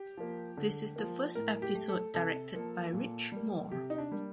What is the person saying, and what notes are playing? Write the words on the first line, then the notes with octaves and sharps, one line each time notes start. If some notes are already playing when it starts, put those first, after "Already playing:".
This is the first episode directed by Rich Moore.
Already playing: G4
F3 A#3
D3
F3 A#3
A2 A#4
G4
A3
A4
C3 A4
F3 A#3
A#2
G3 A#3
C3 G4
D#4
D4
G3 A#3